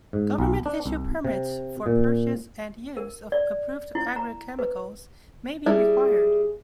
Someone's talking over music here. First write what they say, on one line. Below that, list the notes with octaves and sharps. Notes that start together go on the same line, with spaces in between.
Government-issued permits for purchase and use of approved agrichemicals may be required.
G#2
B1
D4
C2
C3
A#2
A#4
D5
E4
A#5
B4
G3 E4 G#4